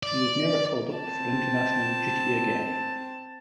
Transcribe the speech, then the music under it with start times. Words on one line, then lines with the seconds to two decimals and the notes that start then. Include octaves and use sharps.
He was never called up for international duty again.
0.03 D5
0.95 C4 A5